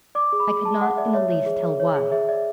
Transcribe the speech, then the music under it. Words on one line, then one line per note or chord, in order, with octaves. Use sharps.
I could not in the least tell why.
D5 D6
G#4
B5
G#4
G#4 A5
G#4 F#5
D5 E5
C#5 E5
C#5
G#4
G#4
C#5
G#4
G#4 E5
D5 E5